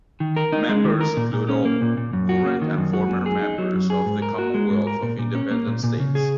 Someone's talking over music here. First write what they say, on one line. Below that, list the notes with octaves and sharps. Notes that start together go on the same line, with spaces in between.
Members include all current and former members of the Commonwealth of Independent States.
D#3
A#4
D#4
G#3
D#3
A#4
A#2
A#2
C#4
A#3
A#2
A#2
F#2
F#4
A#3
D#3
F#2
F#4
F#2
G#4
D#4
F#3
F#2
G#4
G#2
A#4
F#4
G#3
G#2
A#4
A#2
A#2
C#4
A#3
A#2
A#2
C#3
G#4